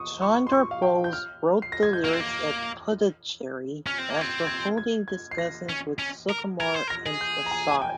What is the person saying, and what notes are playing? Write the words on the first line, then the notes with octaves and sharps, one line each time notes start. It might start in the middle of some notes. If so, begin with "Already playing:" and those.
Chandrabose wrote the lyrics at Puducherry after holding discussions with Sukumar and Prasad.
Already playing: C#6 D#6
C#6
C6
C#6
F5
G5
G6
F6
C7
A#6
G#6
G6
A#3 F6
C4
A#3
C#4 F6
C4
A#3
G#6
C4
G#6
G#6
G#6
C7
A#6
C#4
C#4
A#4
A#4 G#6
C5
A#4
A#6
G#4
G6
A#5
G#5
G#5
G5